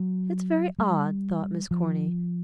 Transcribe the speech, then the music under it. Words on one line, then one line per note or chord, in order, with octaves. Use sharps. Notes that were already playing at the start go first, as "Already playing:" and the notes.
"It's very odd," thought Miss Corny.
Already playing: F#3
G3
F3